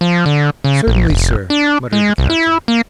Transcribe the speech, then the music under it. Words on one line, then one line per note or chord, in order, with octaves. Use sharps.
"Certainly, sir," muttered the captain.
F3
D3
C#3
A#1
F1
D4
G#3
C2
E4
A#3